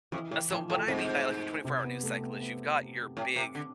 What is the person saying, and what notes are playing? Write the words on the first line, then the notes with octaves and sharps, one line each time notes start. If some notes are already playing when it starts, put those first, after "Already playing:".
s so, what I mean by like a twenty-four-hour news cycle is you've got your big
F2 E3 E4
A2 E3 E4
A2 F3 F4
A2 A3 A4
G#2 C4 C5
C3 C4
B3
A3
B3
B3
A2
C3
D3